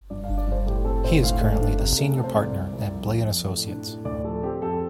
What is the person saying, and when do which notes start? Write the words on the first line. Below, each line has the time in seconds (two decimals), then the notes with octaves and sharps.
He is currently the Senior Partner at Blay and Associates.
0.10 G2 D5
0.24 F5
0.29 D4
0.38 D5
0.47 G2 C5
0.66 A2 G4
0.85 C4 A4
1.04 A2 C5
1.23 D2 F5
1.41 A3
1.60 D4
1.80 C3
1.99 A3
2.13 C3 A4
2.24 C5
2.36 C2 D5
2.55 G3
2.73 C2
2.92 F2
3.11 F3
3.30 F2
3.49 A2
3.67 D4
3.87 A2
4.05 D2 D5
4.24 F3 A4
4.43 C4 G4
4.62 F2 A4